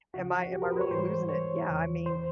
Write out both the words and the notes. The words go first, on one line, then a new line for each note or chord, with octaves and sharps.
Am I am I really losing it? Yeah, I mean,
D2 C#3 F3 F#4
F#4
G4
A#4
B4
C5
C#5
G#2 E3 G3 C5
C#5
E2 C#3 E3
C5